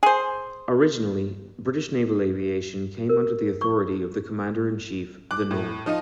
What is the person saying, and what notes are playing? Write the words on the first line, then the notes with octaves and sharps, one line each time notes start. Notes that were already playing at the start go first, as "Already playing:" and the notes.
Originally, British naval aviation came under the authority of the Commander-in-Chief, The Nore.
G#4 C5
A#4
C#6
D6 F#6
A2
F3 D#4 F4 D#5